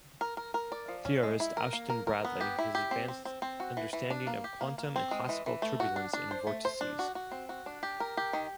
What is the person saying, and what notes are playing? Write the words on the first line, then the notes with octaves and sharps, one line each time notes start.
Theorist Ashton Bradley has advanced understanding of quantum and classical turbulence and vortices.
A#4
A#4
A#4
D5
F3
C#4
G#3
E4
A#4
A#3
A#4
A#4
B3
G4
E4
G4
C4
C4
C4
C4
F#4
E3
E3
D4
A#3
G4
A#3
A#3
C4
G#3
E3
E3
A3
F#4
D4
D4
C5
A3
C5
D4
F#4
F#4
C4
F#4
D4
G4
A#4
G4
D#3